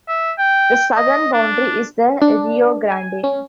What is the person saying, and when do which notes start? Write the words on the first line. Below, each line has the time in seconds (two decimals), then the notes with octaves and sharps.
The southern boundary is the Rio Grande.
0.09 E5
0.38 G5
0.97 D#5
1.33 D4
2.22 D4
2.92 G#5
3.24 C#4